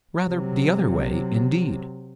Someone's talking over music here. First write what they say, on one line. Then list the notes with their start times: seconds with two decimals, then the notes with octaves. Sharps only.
Rather the other way, indeed.
0.24 C3 F#3